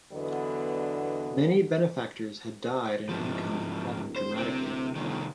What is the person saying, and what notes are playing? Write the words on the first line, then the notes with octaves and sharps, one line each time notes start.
Many benefactors had died and income had fallen dramatically.
E2 D3 F#3 B3 D4 D#5
D1 G#2 F3
C5
C3 C4
G1 C2 D#3